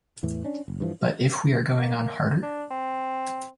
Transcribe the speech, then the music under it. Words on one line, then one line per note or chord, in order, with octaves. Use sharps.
But if we are going on harder?
E2 A2 E3
C#4 D4
F#1
G2 E3 F3
A#3
D4
C4